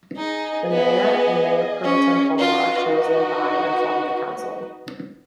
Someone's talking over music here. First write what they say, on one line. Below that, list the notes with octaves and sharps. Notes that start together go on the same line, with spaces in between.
The mayor and mayor pro tempore are chosen by and from the council.
D#4 G#4 D#5 G#5
B3
C#4
D#4 F4 F#4 B4 D#5